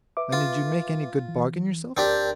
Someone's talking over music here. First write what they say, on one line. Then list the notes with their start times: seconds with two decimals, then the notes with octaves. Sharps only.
'And did you make any good bargain yourself?'
0.17 B4 E5 D6
0.33 F4
1.28 E3
1.97 D2 C4 D4 G4 A#4 D5